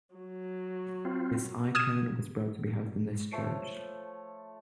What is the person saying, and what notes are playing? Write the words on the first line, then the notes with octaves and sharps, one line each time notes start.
This icon was brought to be housed in this church.
F#3
C4 F4
D#6 F6 G#6 D#7 E7
F3 A3 C#5